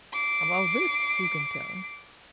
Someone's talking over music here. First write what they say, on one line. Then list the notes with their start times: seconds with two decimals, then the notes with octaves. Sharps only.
About this who can tell?
0.13 D6 C7